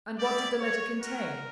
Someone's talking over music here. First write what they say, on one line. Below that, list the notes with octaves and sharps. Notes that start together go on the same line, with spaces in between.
"And what did the letter contain?"
C#4 E4 G4 D5
C#5
C#4 F#4 A#4